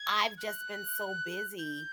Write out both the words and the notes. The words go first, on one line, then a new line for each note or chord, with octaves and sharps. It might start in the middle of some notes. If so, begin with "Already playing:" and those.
I've just been so busy,
Already playing: G#6
F#6
G6